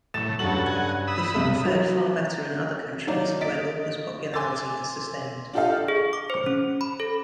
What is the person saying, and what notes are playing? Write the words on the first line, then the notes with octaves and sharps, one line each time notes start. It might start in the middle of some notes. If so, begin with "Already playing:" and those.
The film fared far better in other countries where Lauper's popularity has sustained.
A2 A6 E7
G2 C#3 F#3 A4 F#7
F#5 G#5
B5 D#6 E6
B1 C3
F#3
D#3 F#3 A#3 D#4 D5
D#5 A6 B6 D7
G#5 C6 D6 E6 A6
D4 F4 G4 A4 D#5 F5
G#4
D6
C5
C#4
B5
A4